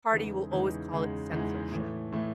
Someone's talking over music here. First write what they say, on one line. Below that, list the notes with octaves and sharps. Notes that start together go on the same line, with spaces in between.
party will always call it censorship
E2 C#3 E3 G#3 D#4
E2 C#3 E3 G#3 D#4
E2 C#3 E3 G#3 D#4
E2 C#3 E3 G#3 D#4
A2 E3 A3
A2 E3 A3